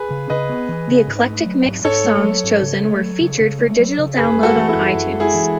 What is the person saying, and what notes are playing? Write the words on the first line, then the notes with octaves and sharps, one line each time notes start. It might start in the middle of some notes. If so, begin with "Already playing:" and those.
The eclectic mix of songs chosen were featured for digital download on iTunes.
Already playing: G#4 B4
C#3
C#3 B4 D#5
B3
E3
C#3
G#2
A3
F#3
G#2
G#2 A4 C#5
A3
F#3
G#2
C#3
A3
F#3
C#3
C#3
A3
F#3
C#3
F#2 G#4 B4
G#3
F#4 A4
E3
E4
F#2
F#2
G#3
E4 G#4
E3